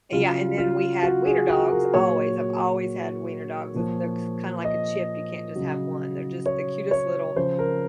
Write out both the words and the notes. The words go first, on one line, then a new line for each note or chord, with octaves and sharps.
Yeah, and then we had wiener dogs always, I've always had wiener dogs, as they're they're kinda like a chip, you can't just have one. They're just the cutest little,
C#3 F#3 F4
F4
F#4
G#4
F#4
A#4
A#2 F#3 C#5
A#2 F3
D#5
C#3 F#3
C#5
C#5
C#3 F3 C5
A#4